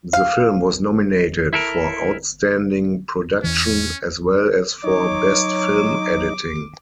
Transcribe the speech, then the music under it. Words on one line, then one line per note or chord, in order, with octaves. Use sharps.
The film was nominated for Outstanding Production, as well as for Best Film Editing.
F5
E4 A4 A#4
E2 E3 C#4
F#3 D#4 C#5 D6